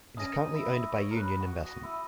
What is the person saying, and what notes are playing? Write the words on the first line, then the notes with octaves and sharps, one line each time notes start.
It is currently owned by Union Investment.
C#4 D#6 A#6 D#7
D#4
E4
E4
C#5 D#6 A#6 D#7
A#4
B4
F#4
F#4 D#6 A#6 D#7
E4